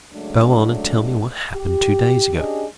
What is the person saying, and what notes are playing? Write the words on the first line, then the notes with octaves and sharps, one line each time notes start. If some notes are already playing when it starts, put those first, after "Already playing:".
But go on and tell me what happened two days ago.
C#3 F#3 G#3 A3 D4
G4
C#4 D4 G4 G#4 D#5